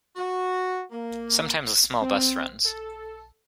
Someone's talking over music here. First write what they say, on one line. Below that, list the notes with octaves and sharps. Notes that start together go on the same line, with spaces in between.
Sometimes a small bus runs.
F#4
A#3
C4
A4